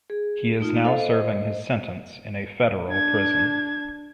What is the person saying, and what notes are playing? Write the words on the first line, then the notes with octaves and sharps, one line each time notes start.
He is now serving his sentence in a federal prison.
G#4
A3 D#4 F4
A4 C5 F5
C5 D#5
D4 G#6